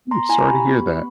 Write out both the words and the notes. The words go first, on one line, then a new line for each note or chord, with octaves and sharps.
I'm sorry to hear that.
B3 A#5 C6
E4 G#5 A#5
G4 B5 C#6
B3
B3